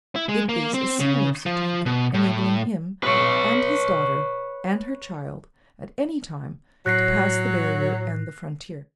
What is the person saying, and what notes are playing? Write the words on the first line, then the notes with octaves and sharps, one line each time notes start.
It is a similar certificate, enabling him and his daughter and her child, at any time, to pass the barrier and the frontier!
E4
G#3
A#3
C4
C#3
F3
B2
A2
B4 C#5
A2 F#3 F#6 A#6 C7